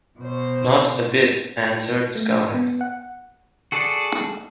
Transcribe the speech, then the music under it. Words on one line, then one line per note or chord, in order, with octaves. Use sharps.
"Not a bit," answered Skye.
B2 C5
A3
B3
F#5
F#4 G#4 A4 D5